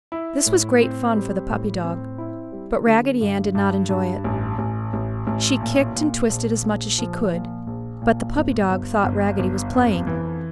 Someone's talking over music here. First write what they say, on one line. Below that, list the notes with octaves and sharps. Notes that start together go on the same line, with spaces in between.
This was great fun for the puppy dog, but Raggedy Ann did not enjoy it. She kicked and twisted as much as she could, but the puppy dog thought Raggedy was playing.
E4
A2
C4
G3
A2
C4
E4
G3
D3
G2
G2
G2
A1
A1
A1
A1
A#2
A#2
A#1
A#1
F3
A#2
A#1
A#2
G1
G1
G1
G1
F2
E3